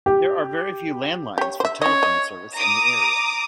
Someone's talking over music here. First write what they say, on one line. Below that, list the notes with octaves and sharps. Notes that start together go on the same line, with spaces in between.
There are a very few landlines for telephone service in the area.
G4
G4 C#5
C5 E5
C#4 C#5 D#5
D#5
A#5 D6 D#6